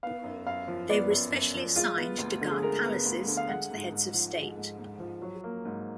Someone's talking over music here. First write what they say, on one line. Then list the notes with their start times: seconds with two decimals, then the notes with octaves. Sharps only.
They were especially assigned to guard palaces and the heads of state.
0.03 B3 F5
0.24 F#2
0.47 F#2 F5
0.68 F3
0.90 B3 D5
1.10 F#2
1.33 F#2
1.55 F3
1.76 G#3 F4
1.97 B3
2.18 D2
2.41 D3
2.51 G#4
2.62 G#3 A#4
2.84 B3
3.05 D2
3.27 D3
3.37 F5
3.49 G#3 F#5
3.71 G#2
3.92 G#2
4.14 F3
4.36 G#3
4.57 G#2
4.79 G#2
5.00 F3
5.22 F#3
5.44 A#3
5.65 G#2